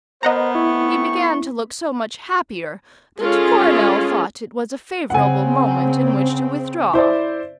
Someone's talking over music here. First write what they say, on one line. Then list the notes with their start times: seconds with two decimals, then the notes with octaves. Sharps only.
He began to look so much happier that Coronel thought it was a favourable moment in which to withdraw.
0.23 B3 A#4 C5 D#5 F#5 A#5
0.55 A3 C4 E4 C#6
3.20 G#3 C#4 F4 G#4 A4
5.10 C#3 C4 F#5 G#5
6.93 E4 C5 D5